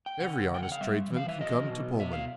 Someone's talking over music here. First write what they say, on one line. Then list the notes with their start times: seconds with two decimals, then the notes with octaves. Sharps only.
Every honest tradesman can come to Pullman.
0.06 G5
0.20 C#3 F#5
0.51 C#3 G5
0.63 F#5
0.72 F5
0.81 G3 E5
1.10 E3
1.16 F5
1.28 E5
1.40 F#3 D#5
1.70 B2
2.00 B2 E5
2.13 F5